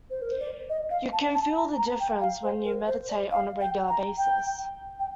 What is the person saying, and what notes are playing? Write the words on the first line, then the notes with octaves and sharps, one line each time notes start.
You can feel the difference when you meditate on a regular basis.
C5
A#4
C5
D5
D#5
F5
A5
A5
A#5
A#5
G5
F5
C5
A#4
C5
D5
F5
G5
A#5
G5
G5